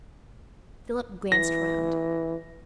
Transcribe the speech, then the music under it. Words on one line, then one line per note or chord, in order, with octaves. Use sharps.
Philip glanced round.
E3 A#6